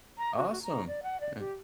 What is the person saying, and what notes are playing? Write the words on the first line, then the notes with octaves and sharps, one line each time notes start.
Awesome. Eh.
A#5
F#4
F#4
A#5
D5
F#5
D5
G4